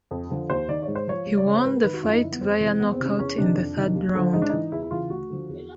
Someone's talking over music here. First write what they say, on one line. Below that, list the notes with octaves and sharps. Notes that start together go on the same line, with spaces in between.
He won the fight via knockout in the third round.
F2
D3 F3
D#2 C5
D#3 D5
G#2 C#5
C5
F3 C#5
C#2
D5
C#3 F3 C#5
C5
G#2 B4
A#4
D#3 B4
F#4
F#2 F4
D#4
D3 F3 E4
B3
F2 C4
C3 E3 C4
E2 B3
C4
C3 D#3
C#4
E2 C#4
C3 D#3 D4
F2
C3 D#3
D#2
D3 F3
G#2 D#4
D4
E3 D#4
E2 E4
E4
C#3 E3 F4
D2 F#4
D3 F3
E2